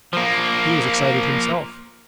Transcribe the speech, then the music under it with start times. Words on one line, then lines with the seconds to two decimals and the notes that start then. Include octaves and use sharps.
He was excited himself.
0.13 F3 A#3